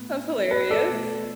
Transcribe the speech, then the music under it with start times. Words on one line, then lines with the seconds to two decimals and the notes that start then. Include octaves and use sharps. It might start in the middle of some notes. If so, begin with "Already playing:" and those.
That's hilarious.
Already playing: A2 B3
0.51 B4
0.70 A4 D5
0.88 B2 A3